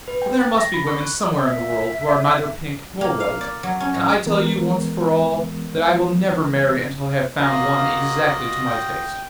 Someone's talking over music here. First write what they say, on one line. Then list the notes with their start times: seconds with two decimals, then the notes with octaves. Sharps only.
But there must be women somewhere in the world who are neither pink nor white, and I tell you, once for all, that I will never marry until I have found one exactly to my taste.'
0.08 B4
0.22 G5
0.41 A6
0.58 A#6
0.74 B5
0.87 C#6
1.00 F#6
1.42 E5
3.01 A#3
3.20 F5
3.41 D5
3.63 F#3
3.80 C#4
3.95 A2
4.26 E3 G#3 B3 A#4
7.37 A#3 F4 F#4 D#5 F5
8.66 G5